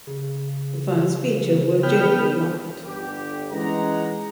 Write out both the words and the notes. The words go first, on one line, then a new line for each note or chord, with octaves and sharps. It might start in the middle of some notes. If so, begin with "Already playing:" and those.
The phones features were generally liked.
C#3
B3 G5 F6
G1 G4
E3 G#3 C#4 D#4 F#5 A#5